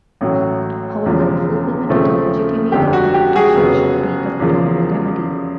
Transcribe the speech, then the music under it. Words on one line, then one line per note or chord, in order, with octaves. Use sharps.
However, fulfilment of the legitimate expectation should be the primary remedy.
A1 A2 F#3
E1 E2 C#3 F3
D#2 C#3 F3 A3 C4
G1 F2 D3 G4
F#4
G4
F#4 G#4
F1 F2 C#3 F#3 B3
E2 C#3 F3 A#3